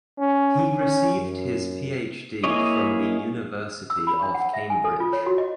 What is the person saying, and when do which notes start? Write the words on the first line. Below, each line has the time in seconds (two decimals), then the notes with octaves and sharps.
He received his PhD from the University of Cambridge.
0.18 C#4
0.78 C#4
1.16 F#2
2.44 A#3 E4 G#4 C#5 D#5
3.90 E6
4.07 B5
4.22 D4
4.34 F#5
4.54 E5
4.70 G#5
4.84 A4
5.00 F4
5.13 C#5
5.26 F#4
5.38 D#5